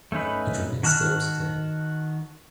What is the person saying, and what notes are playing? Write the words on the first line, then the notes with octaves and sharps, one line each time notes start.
It remains there today.
A3 C#4 D#4 B4
D#3 F#4 A5 F6 F#6